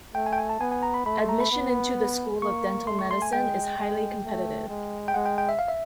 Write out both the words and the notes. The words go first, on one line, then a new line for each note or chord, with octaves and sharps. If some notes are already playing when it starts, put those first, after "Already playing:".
Admission into the School of Dental Medicine is highly competitive.
A3 G5
G#5
G5
G#5
A5
B3 G#5
G#5
A#5
B5
A3 B5
C6
A#5
B5
B3
A#3 C#6
A3 C6
C#6
C6
G#5
G#3 G5
G#3
A3
G#3
G5
G#3 F#5
G5
G5
E5
F5
E5